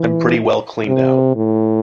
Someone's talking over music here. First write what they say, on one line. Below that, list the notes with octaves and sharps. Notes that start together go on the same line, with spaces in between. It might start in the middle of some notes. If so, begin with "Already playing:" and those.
I'm pretty well cleaned out.
Already playing: E3
C3
A2